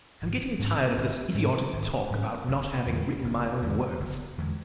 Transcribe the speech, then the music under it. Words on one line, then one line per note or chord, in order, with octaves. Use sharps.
I'm getting tired of this idiotic talk about not having written my own works.
G#1
G#2 F#3 C#4
G#1
G#2 F#3 C#4
G#1
G#2 F#3 C#4
F#1
E2 D3 G#3
F#1
E2 D3 G#3
F#1
E2 D3 G#3